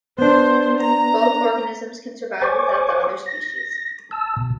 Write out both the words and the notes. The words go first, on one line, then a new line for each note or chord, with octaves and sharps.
Both organisms can survive without the other species.
B3 D4 C5
A#5
C5 C#5 G#5 C#6 D6
A#6
A5 E6
B2